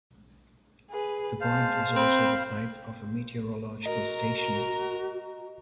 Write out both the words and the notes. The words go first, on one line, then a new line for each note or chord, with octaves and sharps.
The point is also the site of a meteorological station.
G#4 B4
G#3 C5 F5 A5
C4 B5
F#4 A#4 D#5 A#5